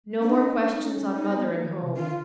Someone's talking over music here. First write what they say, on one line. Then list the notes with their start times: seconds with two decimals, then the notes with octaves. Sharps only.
No more questions on mother and home!
0.20 C4 D4
0.30 C#4 D#4
0.51 D4
0.61 C#4
0.72 C4 D#4
0.81 C#4
1.14 D#4
1.27 C4
1.34 B3
1.45 A3
1.55 A#3
1.63 D#3
1.68 E3
1.82 C3
1.96 D3 F4